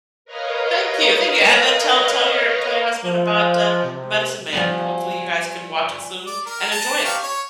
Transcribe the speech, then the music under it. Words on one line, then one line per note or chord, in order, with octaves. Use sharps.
Thank you, thank you. And then tell tell your tell your husband about, uh, The Medicine Man. Hopefully, you guys can watch it soon and enjoy it.
A#4 B4 C#5 D#5 F5 A#5
F3
C3
F3 G3 B3 D5 G#5
D5
A#4
A5 A#5
G4 F5 C#6
C#5